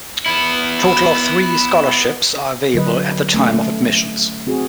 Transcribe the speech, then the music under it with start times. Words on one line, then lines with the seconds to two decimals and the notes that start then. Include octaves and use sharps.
Total of three scholarships are available at the time of admissions.
0.26 B3 E4
2.74 D3 F#3 B4 D#5
3.34 A3 C#4
4.47 C4 F#4 G#4